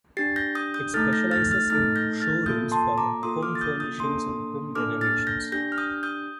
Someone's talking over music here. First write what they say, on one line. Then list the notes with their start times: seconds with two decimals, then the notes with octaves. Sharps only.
It specialises in showrooms for home furnishings and home renovations.
0.17 D4 G4 A6 C7
0.36 G6 A#6
0.55 D#6 G6
0.74 D#6 G6
0.94 A3 D#4 A4 F6 A6
1.13 G6 A#6
1.31 F6 A6
1.51 F6 A6
1.70 A3 D#4 A4 F6 A6
1.95 G6 A#6
2.20 F6 A6
2.46 A#3 F4 A4 D#6 G6
2.72 A5 C6
2.98 A#5 D6
3.23 A#3 F4 A4 C6 D#6
3.43 D6 F6
3.55 A6
3.61 D#6 G6
3.80 D#6 G6
3.99 A#3 D4 A4 C6 D#6
4.75 A#3 D4 A4 D6 F6
5.01 F6 A6
5.27 G6 A#6
5.52 D4 G4 G6 A#6
5.72 F6
5.78 D#6 G6
6.03 D#6 G6